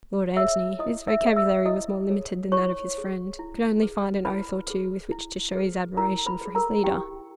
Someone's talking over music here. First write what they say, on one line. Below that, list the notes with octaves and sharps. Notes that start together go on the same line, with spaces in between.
Lord Antony, whose vocabulary was more limited than that of his friend, could only find an oath or two with which to show his admiration for his leader.
G#4 C#5 E5 E6
E4 D#5 D#6
E5 E6
G#4 C#5
E5 E6
E4 D#5 D#6
G#4 C#5
E4 C#5 C#6
G#4 C#5
E4
G#4 B4
E4 B4 B5
G#4 B4
E4
G#4 B4
E4 A#4 A#5
B4 B5
G#4 B4
A#4 A#5
E4 G4 G5